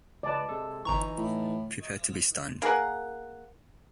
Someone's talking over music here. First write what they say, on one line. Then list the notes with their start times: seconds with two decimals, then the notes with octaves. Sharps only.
Prepare to be stunned.
0.23 C#2 B4 D5 D#5 A5
0.49 C3 G#3 A4
0.85 G1 E3 D#4 A#5 C#6
1.18 A2
2.62 A#3 G#4 A#4 F#5